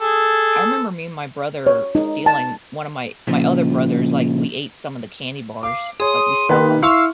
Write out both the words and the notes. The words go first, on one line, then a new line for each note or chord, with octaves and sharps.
I remember me and my brother stealing one of my my other brother's like, we ate some of the candy bars, like, we snuck 'em.
G#4 A4
C#5
D#4
A5
A#2 C#3 F3
F5 D6
G#4 C#5 C6 D#6
D#3 A#3 G4 B4
E4 F5 C6 C#6 E6